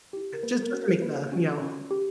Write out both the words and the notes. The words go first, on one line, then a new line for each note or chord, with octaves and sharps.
just just to make the, you know,
E4 G4
A#4
A#3 B4
A#4
C#4 F#4
A#4
A#3 B4
C#4 F#4
C#4
G4